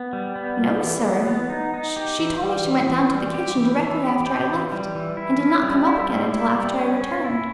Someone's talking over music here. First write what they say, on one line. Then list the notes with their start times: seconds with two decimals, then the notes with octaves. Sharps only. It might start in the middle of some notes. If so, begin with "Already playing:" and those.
"No, sir; she told me she went down to the kitchen directly after I left, and did not come up again until after I returned."
Already playing: B3
0.13 G3
0.36 B3
0.58 G3
0.82 E3
1.04 B3
1.27 B3
1.50 D#4
1.74 D#4
1.96 G4
2.19 E3
2.41 G3
2.64 E3
2.88 E3
3.11 G3
3.34 G4
3.57 E3
3.80 E3
4.03 G4
4.26 G4
4.49 E3
4.72 G3
4.95 E3
5.17 E4
5.41 C#4
5.63 G3
5.87 E4
6.09 G3
6.32 E4
6.55 G3
6.78 C#4
7.01 C#4
7.24 E4